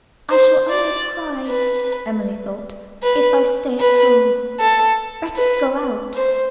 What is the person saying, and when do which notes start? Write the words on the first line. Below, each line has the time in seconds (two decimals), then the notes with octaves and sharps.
"I shall only cry," Emily thought, "if I stay at home; better go out."
0.31 C5
0.70 D5
1.48 B4
3.03 B4
3.81 B4
4.60 A4
5.37 B4
6.16 C5